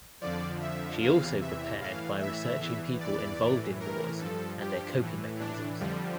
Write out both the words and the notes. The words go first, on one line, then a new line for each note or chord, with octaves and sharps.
She also prepared by researching people involved in wars and their coping mechanisms.
F2 D3 F3 D5
E5
E2 C3 E3 F5
E5
A2 E3 F5
E5
E2 E3
D5
A2 E3
A#4
G2 F3 A4
G4
A2 E3
D4
F2 D3 F3 G3